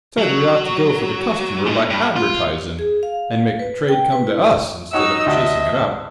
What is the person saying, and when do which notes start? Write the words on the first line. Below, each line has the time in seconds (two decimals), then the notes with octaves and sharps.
Said we ought to go for the consumer by advertising, and make the trade come to us, instead of chasing it up.
0.18 F#3
1.66 A#2 D#4
1.90 G2
2.16 F4
2.79 G#4
3.03 F5
3.59 B4
3.89 G5
4.12 B4
4.27 E4
4.93 D#4 F#4 C#5 D#5 F#5 E6
5.26 D2 F#4 E5